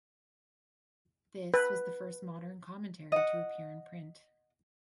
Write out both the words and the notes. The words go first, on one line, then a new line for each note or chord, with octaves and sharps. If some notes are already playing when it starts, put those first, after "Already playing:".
This was the first modern commentary to appear in print.
B4
D#5 F#5